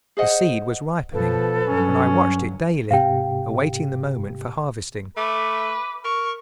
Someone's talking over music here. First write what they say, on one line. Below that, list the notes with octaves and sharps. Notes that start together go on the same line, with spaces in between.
The seed was ripening, and I watched it daily, awaiting the moment for harvesting.
G#4 C5 D#5 F#5
B2 F3 A4 B4
G2 F#3 C#4
G#2 C3 G4 F5 G5
A3 B4 D6
A#4 C#6